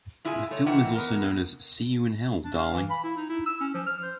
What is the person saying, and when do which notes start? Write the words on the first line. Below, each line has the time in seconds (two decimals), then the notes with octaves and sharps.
The film is also known as "See You in Hell, Darling".
0.25 A2 E4 F4 G#4 F#5 G#5
0.51 A3 C#5
0.66 D#3 E3 C4 F4 F#5
0.95 B3 A#4
2.44 D4
2.58 F5
2.73 E3
2.90 B5
3.04 E4
3.17 D#4
3.29 E4
3.46 E6
3.60 C#4
3.74 F3
3.86 F6
4.02 C5